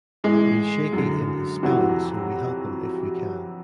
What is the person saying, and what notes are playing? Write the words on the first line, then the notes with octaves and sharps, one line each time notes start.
He is shaky in his spelling, so we help him if we can.
A2 E3 G#3 G#4
F#2 D3
F2 C3 E3 F#3 F#4